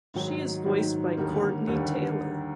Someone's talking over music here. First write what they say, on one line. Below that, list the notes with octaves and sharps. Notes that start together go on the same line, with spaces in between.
She is voiced by Courtenay Taylor.
G#2 D#3 F#3
G#2 D#3 F#3
D#2 D3 G3 A#3
D#2 D3 G3 A#3